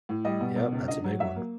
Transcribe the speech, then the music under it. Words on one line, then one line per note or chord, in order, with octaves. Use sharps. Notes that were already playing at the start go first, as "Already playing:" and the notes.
Yep, that's a big one.
A2
G3 D#5
B2
B2
C#2
D4 D#5
F#3
F#3 E5
A#3